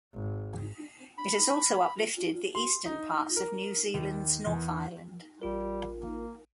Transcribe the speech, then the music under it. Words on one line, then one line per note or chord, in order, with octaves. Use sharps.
It has also uplifted the eastern parts of New Zealand's North Island.
G#1
B5
C6
D#4
A#4
D#2
E2
A1 G3 F4 A#4
A#3